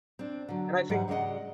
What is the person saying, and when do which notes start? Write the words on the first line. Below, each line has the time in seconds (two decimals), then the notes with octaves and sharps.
And I think
0.19 C4 D4
0.48 D3 F#3
0.89 G#2 E3 F#3 G3 F#5
1.08 C#3 G#3 D5 D#5 F#5